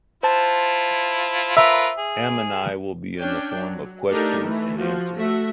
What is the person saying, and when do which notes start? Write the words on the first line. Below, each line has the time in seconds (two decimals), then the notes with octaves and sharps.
Ammanai will be in the form of questions and answers.
0.23 E4 F4 C5 A5
1.57 F4 A#4 B4 E5
1.98 G#4
3.18 C#4 D4 G5
3.56 F#3
4.10 A3 D4 D#4 G4 A4 A#4
4.43 E3 A3
4.77 F3 F#4
5.15 A3 F#4 E5